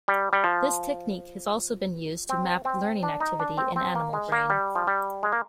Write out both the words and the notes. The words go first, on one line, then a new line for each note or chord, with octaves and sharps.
This technique has also been used to map learning activity in animal brain.
G3
G3
F3
C4
C4
D4
D#4
D4
C4
C4
A#3
G#3
A#3
G3
F3
G3
G#3
A#3